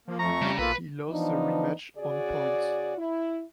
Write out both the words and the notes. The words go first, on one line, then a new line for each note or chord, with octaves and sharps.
He lost the rematch on points.
F3 A#3
F2 A3 A#5 C#6
C#3 G3
B1 A#3 F4 A4 B4
E3 F3 B3 D4 D#4
C#3 F#4 G#4 D5
E4